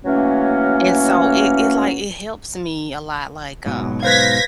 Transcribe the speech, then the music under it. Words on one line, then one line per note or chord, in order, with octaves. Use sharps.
And so it it, like, it helps me a lot, like, um,
E3 F#3 A3 A#3 C#4
G#2 B2 F#3
B4 C5 F5 G#6 A#6 B6